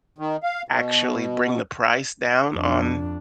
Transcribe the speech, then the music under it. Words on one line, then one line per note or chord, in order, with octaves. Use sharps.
actually bring the price down on
D#3
F5
B2
F2 D4